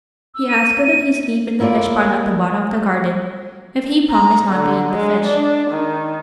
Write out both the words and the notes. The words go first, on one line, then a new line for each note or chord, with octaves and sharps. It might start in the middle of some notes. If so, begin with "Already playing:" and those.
He asked couldn't he sleep in the fish-pond at the bottom of the garden, if he promised not to eat the fish.
E6
D#7
D#7
A#3 E4 F4 C#5 D5
A#5
D3
G#3
D4
D#3